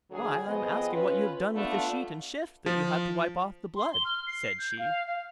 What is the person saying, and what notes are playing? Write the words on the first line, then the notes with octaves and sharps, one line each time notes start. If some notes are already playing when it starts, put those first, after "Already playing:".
'Why, I am asking what you have done with the sheet and shift that you had to wipe off the blood', said she.
D2 F#3 G#4
F2 B3 C4 G#4 D#5
C#4 F4 B4
A3 B3 D4 F4
F3
C6
G7
F6
C7
G6
F5
F5